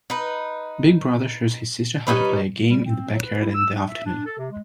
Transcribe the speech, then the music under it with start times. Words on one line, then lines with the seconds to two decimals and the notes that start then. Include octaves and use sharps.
Big brother shows his sister how to play a game in the backyard in the afternoon.
0.10 D#4 B4
2.07 G3 C#4 D#4 B4
2.69 G3
2.85 C4
3.10 F#3
3.22 B4
3.40 E4
3.54 E6
3.73 D4
3.88 E5
4.04 D4
4.25 A4
4.38 C3
4.50 G#3